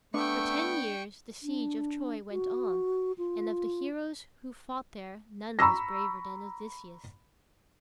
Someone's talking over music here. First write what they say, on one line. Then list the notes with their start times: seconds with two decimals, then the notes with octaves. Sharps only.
For ten years the siege of Troy went on, and of the heroes who fought there, none was braver than Odysseus.
0.14 A3 B3 D4 G5 C#6
1.43 D4
2.31 F#4
3.18 F4
5.59 A#5 B5 C#6 E6 A#6